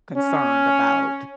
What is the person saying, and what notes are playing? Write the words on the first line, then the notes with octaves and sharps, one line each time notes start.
concerned about
C#4